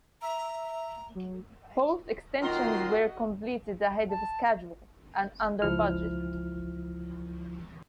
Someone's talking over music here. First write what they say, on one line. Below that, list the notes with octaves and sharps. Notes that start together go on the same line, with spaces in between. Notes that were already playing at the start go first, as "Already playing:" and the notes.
Both extensions were completed ahead of schedule and under budget.
E5 A#5
F#3
D#3 F#3 C4 F4 F#4 A#4 D#5 C6
A5
C#2 F3 E4 F6